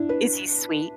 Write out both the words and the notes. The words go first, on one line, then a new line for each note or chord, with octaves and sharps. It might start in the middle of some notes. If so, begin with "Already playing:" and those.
Is he sweet?
Already playing: D4 E4
B4